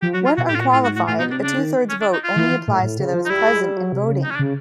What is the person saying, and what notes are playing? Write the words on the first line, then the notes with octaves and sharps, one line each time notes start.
When unqualified, a two-thirds vote only applies to those present and voting.
F3 G4
F#3 F#4
F4
B2 F#4
A2 G4
F4
A#2 F#4
A2 F4
G#2 F#4
A2 F#4
A2 F4
B2 D#4
C3 D4
C#3 D4
D#3
C#4
D4
D#4
F4
E3
A2
A2
C#3
F3
D#4
G3 E4
G#3
G3
F#3
C3
C#3
D#4
C#4
D4
C#3